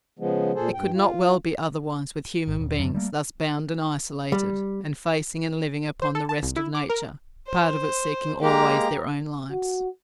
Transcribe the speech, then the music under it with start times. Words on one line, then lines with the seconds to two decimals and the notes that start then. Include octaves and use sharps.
It could not well be otherwise with human beings thus bound and isolated and facing and living upon the rest of nature, part of it seeking always their own lives.
0.19 C#3 F3 G#3 B3
0.55 A#2 G#4 A4 C5
0.74 G2 G5
0.94 F4
2.47 G#1
2.59 D#1
2.79 F#2 D3
2.94 G3 A3 A#3
4.32 G3
6.02 C5
6.15 A4
6.29 A5
6.43 C2
6.56 E4
6.75 D6
6.89 A#4
7.47 C5
8.41 G#3 A#3 G4 A#5
9.50 F#4